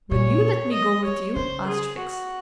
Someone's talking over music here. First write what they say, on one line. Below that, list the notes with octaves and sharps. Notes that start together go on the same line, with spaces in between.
"Will you let me go with you?" asked Fix.
A#2 C#5
D#5
C#5
C#3 C5
G#4
F#4